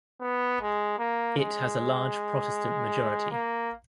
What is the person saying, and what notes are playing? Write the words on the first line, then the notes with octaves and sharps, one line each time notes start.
It has a large Protestant majority.
B3
G#3
A#3
G#3
A#3